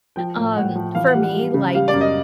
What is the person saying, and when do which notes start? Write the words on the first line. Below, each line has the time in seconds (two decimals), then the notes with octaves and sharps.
Um, for me, like,
0.16 F3 G5
0.37 A2
0.56 A2 F#5
0.75 F3
0.95 E3 F5
1.08 F#5
1.15 G3
1.22 F#5
1.34 G3
1.54 C#3
1.74 G3 F5
1.88 D5
1.94 F#2
2.01 D#5